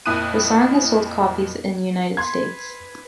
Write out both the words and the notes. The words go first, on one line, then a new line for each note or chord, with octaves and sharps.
The song has sold copies in United States.
F2 A#2 E4 D#6 F#6 D#7
B4 C6 G#6